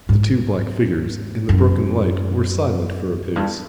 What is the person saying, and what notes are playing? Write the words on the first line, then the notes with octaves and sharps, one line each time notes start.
The two black figures in the broken light were silent for a space.
G#2
F#2
G2